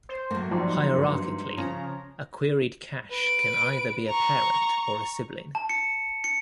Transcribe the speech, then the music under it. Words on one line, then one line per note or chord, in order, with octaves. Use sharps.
Hierarchically, a queried cache can either be a parent or a sibling.
C5
A2 F#3 A#3 A#6
G#2 F3 G3
G2
C#3 F3 C#4 A#5
B4 D7
A#5 C#6
A5
C#7
C#7